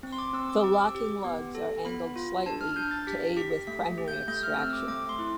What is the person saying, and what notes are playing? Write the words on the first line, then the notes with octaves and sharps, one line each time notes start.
The locking lugs are angled slightly to aid with primary extraction.
C4
C6
D6
C4 E6
D6
G4 E6
D6
G4
B3
A4
B3 B5
F4
D4 A5
F6
D4 G6
A6
G4 B6
G4 B6
A3 B6
G4
G6
A3 G6
F6
C4 E6
D6
A3 D6
C6
E4